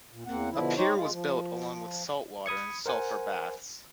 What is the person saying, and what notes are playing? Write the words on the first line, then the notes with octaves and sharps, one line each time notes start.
A pier was built, along with salt water and sulphur baths.
A#2
E2 A#3 C4 F#5
B2 D3 F3 E4
D#4 G4 C5 C#5
G#3 F4
F3
B5 D#6 G#6 C#7
A#4 C5 F#5 G#5